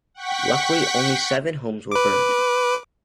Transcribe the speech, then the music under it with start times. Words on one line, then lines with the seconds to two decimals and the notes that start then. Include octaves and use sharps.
Luckily, only seven homes were burned.
0.14 F#5 G5 C#6 B6
1.92 B4 D6